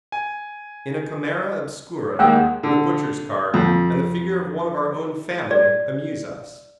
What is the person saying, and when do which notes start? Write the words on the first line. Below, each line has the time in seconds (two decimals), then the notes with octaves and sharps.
In a camera obscura, the butcher's cart, and the figure of one of our own family amuse us.
0.12 G#5
2.19 D#2 G#3 A#3 F#5 G5 E6
2.63 D3
3.54 F2
5.51 D5